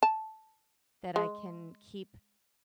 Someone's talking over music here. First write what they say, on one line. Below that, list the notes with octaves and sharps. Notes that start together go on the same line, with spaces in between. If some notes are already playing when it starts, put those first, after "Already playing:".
that I can keep
A5
G#3